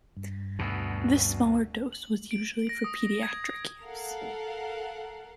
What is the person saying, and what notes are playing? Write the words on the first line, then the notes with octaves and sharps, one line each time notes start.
This smaller dose was usually for pediatric use.
G2
D2 B2
F#7
D7
A#6
D#6
G#6
A4 A#4 F5 F#5